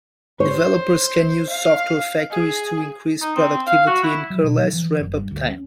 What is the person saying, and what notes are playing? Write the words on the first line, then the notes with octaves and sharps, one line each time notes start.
Developers can use software factories to increase productivity and incur less ramp-up time.
C5 C#5
F5
G#4
D#4
C4
F5
F#4
E4
F#3
B2
F#3
E3
F#1
G2
D2
C#4